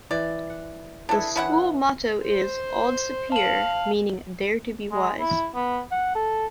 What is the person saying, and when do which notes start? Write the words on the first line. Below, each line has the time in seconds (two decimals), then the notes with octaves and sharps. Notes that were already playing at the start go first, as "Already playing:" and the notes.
The school motto is 'Aude Sapere', meaning 'dare to be wise'.
0.11 E3 D5
0.50 F#5
1.09 D4 E4 G#4 A4 B4
1.36 E3 C#4 D4 E4 F#5
2.24 C5
3.32 F5 A5 F#7
4.92 G#3
5.20 E4
5.55 B3
5.92 F#5
6.15 A4